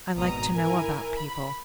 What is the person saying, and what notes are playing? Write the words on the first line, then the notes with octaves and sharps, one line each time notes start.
I like to know about people.
G#1 B2 A#5 D#6
E4 A#4 G#5
B5